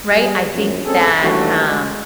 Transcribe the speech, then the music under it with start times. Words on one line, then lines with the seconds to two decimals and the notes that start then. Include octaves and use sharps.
right? I think that, um,
0.12 G3 G#4
0.54 A#1 F#2
0.85 G#3 C4 C#4 G#4 A4
1.23 D#2 E3 G3 A3 D4 F#4
1.69 G#3